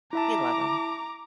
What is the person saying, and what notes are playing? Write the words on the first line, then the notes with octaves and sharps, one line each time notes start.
We love 'em.
E4 E5 A5 A#5 D6